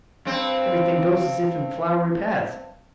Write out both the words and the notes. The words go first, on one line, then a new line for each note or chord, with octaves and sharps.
"Everything goes as if in flowery paths."
G2 C4